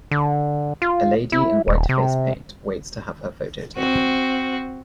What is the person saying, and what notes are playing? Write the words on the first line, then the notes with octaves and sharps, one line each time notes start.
A lady in white face paint waits to have her photo taken.
D3
F4
E4
D#1
C3
C4 F#4